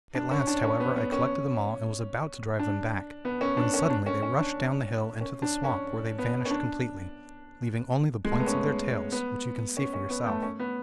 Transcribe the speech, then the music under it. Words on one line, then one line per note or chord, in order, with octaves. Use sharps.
At last, however, I collected them all and was about to drive them back, when suddenly they rushed down the hill into the swamp, where they vanished completely, leaving only the points of their tails, which you can see for yourself.'
D4
C#4
D4
C#4
B3
B3
C#4
D4
B3
C#4
D4
C#4
D4
C#4
C#4
D4
C#4
D4
C#4
B3
C#4
D4
G#3
A3
B3
C#4
B3
C#4
C#4
B3
A3
C#4
B3